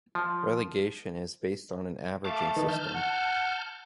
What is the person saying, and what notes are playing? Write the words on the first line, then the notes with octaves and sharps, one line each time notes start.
Relegation is based on an averaging system.
F3
A3 F5 A5 D6
D#3 E3 D#4
A5 F6 G6
F#5